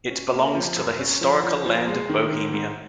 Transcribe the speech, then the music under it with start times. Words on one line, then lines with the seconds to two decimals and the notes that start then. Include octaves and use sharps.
It belongs to the historical land of Bohemia.
0.10 C#4
0.33 A#3
0.54 F3
0.77 F#2
0.99 C#4
1.21 F3
1.43 F3
1.66 F3
1.87 G#3
2.09 D#3
2.32 G#2
2.54 G#2